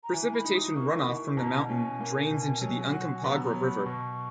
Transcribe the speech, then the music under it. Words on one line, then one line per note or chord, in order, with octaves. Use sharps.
Precipitation runoff from the mountain drains into the Uncompahgre River.
A#5
E3 G#5
B5
D#4
D#6
A#3 C#6
E3
B2 A#5
C#4 G#5
A#3
B2
F#3
F#4
G#5
B3 A#5
A#5
F#3
B5
B2 C#6